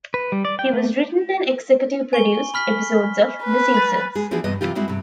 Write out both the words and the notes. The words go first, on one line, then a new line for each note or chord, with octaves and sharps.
He has written and executive produced episodes of "The Simpsons".
B4
G3
D5
G5
A3
G#5 C#6 G7
B5 F6 B6
B4
B5 A6
G#3 G#4
E3 F3 B3 D4 F#4 G#4
E2 G2 C3 B3 D#5
F#2 C3 E3 F4 G4
G3 G#3 C4 E4 F#4
G2 C3